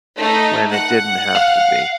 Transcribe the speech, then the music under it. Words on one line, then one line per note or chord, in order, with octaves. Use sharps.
when it didn't have to be.
A3 D#4
F#5
F5